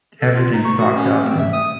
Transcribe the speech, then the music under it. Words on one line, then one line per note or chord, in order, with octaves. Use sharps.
everything stocked up and,
A4
F4
D#4
C#6
F#4
C#4
C4
E5
D#6